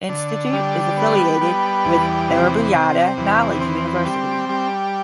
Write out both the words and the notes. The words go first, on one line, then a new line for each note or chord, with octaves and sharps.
Institute is affiliated with Aryabhatta Knowledge University.
D3
G3
B3
G3
E2
C3
C3
E2
C4
G3
G3